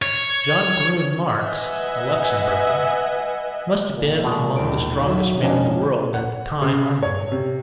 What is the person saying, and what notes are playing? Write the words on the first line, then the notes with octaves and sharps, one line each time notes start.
John Grun Marx, a Luxemberger, must have been among the strongest men in the world at the time I knew him.
C#5
B4 D#5 E5 F#5 G#5
A#2
B2 G#3 F4
A#1 D#2 D7
F#3 G#4 E5
F2 F3 G#3 C#4 D4
F#5
C#3
C#5
C3